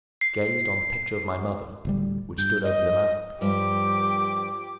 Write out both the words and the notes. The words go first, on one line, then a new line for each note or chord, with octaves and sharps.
I gazed on the picture of my mother, which stood over the mantel-piece.
C7
D1 D2 G3
G2 G6
D#5
G2 F3 G3 G4 D6